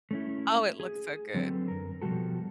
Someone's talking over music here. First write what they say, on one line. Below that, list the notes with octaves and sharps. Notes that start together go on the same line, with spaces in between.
Oh, it looks so good.
A3 C#4 E4
G#4
D3 F#3 C4 A4 B4
F#2 A#4
B2 F3 G3 F#4 A4